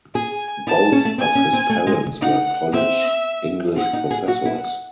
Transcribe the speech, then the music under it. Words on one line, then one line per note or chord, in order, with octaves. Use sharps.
Both of his parents were college English professors.
G#4 G#5
E4 A5
C#4
A3
C4 G#5
C#4
C4
A3
G#3
D#4 F#5
C4 E5
C4 F#5
D#4
G#4
F#4 F#5
E4